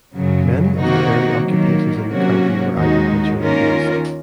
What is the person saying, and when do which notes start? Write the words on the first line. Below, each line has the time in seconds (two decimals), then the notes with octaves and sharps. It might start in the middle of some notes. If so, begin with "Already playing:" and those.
Many of the early occupations in the county were agriculturally based.
0.15 F#2 C#3 F#3
0.80 C3 D#3 A#3 D#4 F#4
1.45 D#3 F#3 A#3
2.10 C3 F#3 A#3 C#4 F#4
2.75 D#2 D#3 G#3 D#4 F#4
3.39 D#3 A#3 C#4 F4 A#4